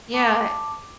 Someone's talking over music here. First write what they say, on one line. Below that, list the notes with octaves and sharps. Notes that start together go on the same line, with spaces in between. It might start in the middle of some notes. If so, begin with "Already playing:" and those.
Yeah, eh
A5 D6